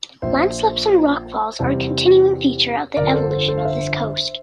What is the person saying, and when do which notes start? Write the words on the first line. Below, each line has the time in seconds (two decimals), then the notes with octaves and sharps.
Landslips and rockfalls are a continuing feature of the evolution of this coast.
0.22 A#1 A#2 F3 C5 E5
1.60 E2 C3 G3 C4
2.96 G1 F2 D3 A#4 D5
3.14 A4 C5
3.31 A4 C5
3.48 A4 C5
3.58 F5
3.65 C5 E5